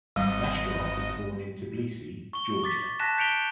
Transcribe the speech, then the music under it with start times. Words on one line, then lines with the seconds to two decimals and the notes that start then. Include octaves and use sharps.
Bashkirov was born in Tbilisi, Georgia.
0.16 G#1 G3 D#5
2.33 C#6 G7
2.64 D6 A6 B6
3.00 A5 F#6 A#6 B6 E7
3.17 G6 B6 C#7 D7 F7 G7